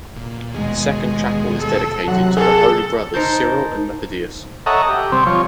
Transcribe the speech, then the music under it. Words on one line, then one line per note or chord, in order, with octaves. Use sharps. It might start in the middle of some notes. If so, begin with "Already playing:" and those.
The second chapel is dedicated to the Holy Brothers Cyril and Methodius.
A#2
D#2 B2 G#3 G#4
G#3
A4
C3 F#3 F#5
G#4 A4
D#4 A#4 C5 A5 G6
A4 C#5 D#5 E5 F#5 A#5
G4
C3 G3 C4
F3 C#5